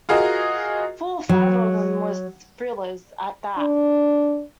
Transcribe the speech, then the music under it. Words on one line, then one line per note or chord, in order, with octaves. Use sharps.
Four or five o' them was thrillers, at that.
F4 F#4 G#4 A#4 D#5
F#3
D4